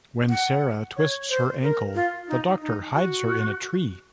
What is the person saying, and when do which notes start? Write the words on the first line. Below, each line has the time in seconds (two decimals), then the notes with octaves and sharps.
When Sarah twists her ankle, the Doctor hides her in a tree.
0.30 F#5
0.97 C#5
1.30 C5
1.62 A#4
1.95 F4
2.28 D#4
2.61 D#4
2.94 F#4